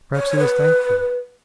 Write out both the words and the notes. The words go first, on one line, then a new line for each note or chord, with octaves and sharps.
Perhaps he was thankful.
C#5
C#5
B4